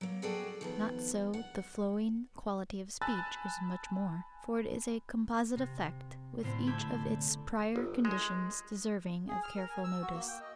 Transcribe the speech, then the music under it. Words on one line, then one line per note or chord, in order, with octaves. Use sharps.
Not so--the flowing quality of speech is much more, for it is a composite effect, with each of its prior conditions deserving of careful notice.
F#3 A#3
F#4 G#4 A4 D5 F#5 G5
D#3 F3 B3
F#5
G#5 A5 B5 E6 F#6 A6
C3
A2 D3 B3 C4 C5
A3 A4 B5 D6 G6 G#6
G1
G#3
G#4
F6
A#4
G#5
E6
F#4
A#3
G5
D#5